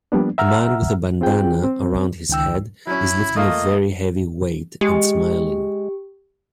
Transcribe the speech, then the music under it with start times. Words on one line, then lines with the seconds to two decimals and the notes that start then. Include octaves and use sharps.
A man with a bandanna around his head is lifting a very heavy weight and smiling.
0.12 F3 G3 A#3 B3 D4
0.38 E5 F#5 A#5 E6 F6
1.21 C4 F4 G#4 G5
1.64 C4
2.29 C#2 D#3 G5 E6
2.87 F#3 C#4 E4
3.36 A3 A#3 F4 D#5
4.81 G#3 G4